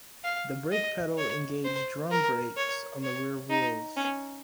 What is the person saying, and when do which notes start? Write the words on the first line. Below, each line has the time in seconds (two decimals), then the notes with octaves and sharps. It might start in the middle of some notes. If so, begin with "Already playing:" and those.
The brake pedal engaged drum brakes on the rear wheels.
0.24 F5
0.72 D#5
1.18 C#5
1.65 C5
2.11 A#4
2.57 C#5
3.03 C#5
3.50 D#4
3.97 C#4